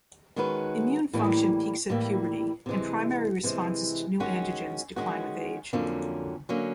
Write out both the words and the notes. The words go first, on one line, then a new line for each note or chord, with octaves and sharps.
Immune function peaks at puberty and primary responses to new antigens decline with age.
D#3 G#3 C#4 F#4 B4
A2 E3 G3 A#3
A2 E3 G3 A#3
C3 E3 G#3
C3 E3 G#3
D#3 G#3 C#4 F#4
D#3 G#3 C#4 F#4
F2 D3 F#3 A#3 C#4
D3 F#3 A#3 C#4